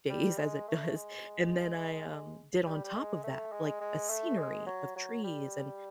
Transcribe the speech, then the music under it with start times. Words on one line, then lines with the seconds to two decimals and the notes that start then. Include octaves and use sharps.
days as it does. And then I, um, did on top of that, like, a scenery of trees, and
0.10 G3
0.38 G#3
0.67 A3
0.95 G#3
2.66 G3
2.84 G3
2.96 G#3
3.23 A3
3.52 G#3
3.81 G#3
4.09 A3
4.38 G#3
4.66 F#3
4.96 F#3
5.24 G3